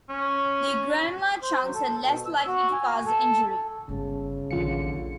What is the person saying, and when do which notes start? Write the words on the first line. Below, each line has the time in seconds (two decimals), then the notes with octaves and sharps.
The granular chunks are less likely to cause injury.
0.09 C#4
1.42 C5
1.61 F#3
1.75 A4
2.04 B2
2.26 E6
2.47 F#4
2.73 G#5
3.06 A4
3.89 G1 C#3
4.51 A#1 D#2 D3 F#3 F4 C#7